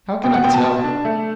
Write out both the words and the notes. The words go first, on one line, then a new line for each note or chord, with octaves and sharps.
How can I tell?
B2 G5
F#5
B2 G5
A5
B2
D4
A3